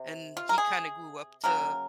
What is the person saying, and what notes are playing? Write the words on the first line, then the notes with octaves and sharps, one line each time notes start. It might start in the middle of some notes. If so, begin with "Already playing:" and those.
and he kinda grew up to,
Already playing: C3
F4
A#4
G#4
C#3 F#3 A#3 A#4